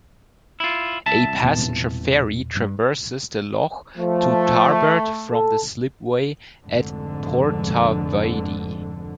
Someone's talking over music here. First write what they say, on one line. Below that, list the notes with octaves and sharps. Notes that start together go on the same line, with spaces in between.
A passenger ferry traverses the loch to Tarbert from the slipway at Portavadie.
E4 F4
C2 E5 A5
E1 A#2 B3
G2
F3 A3
A4
F1 F2 G#2 D3